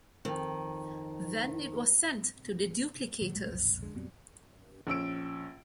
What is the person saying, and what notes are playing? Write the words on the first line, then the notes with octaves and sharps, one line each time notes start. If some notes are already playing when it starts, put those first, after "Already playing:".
Then it was sent to the duplicators!
F2 D#3
A#2 D#3 F#3
C2 A#2 G#3 A3
B1 F2
D3 G#3
F2 A#2 F#3 G3 B3 C4
A#1 C#4 E6 D7